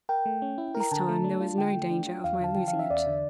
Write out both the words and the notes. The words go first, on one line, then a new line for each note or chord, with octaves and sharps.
This time there was no danger of my losing it.
A#4 G5
A3
C#4
E4
A#4
A#5
D3 A5
A3
D4
F4
D3 G5
A3
D4
F4
E2 F5
D3 A5
F3 G5
F5
C#4
E5
E2 D5
D3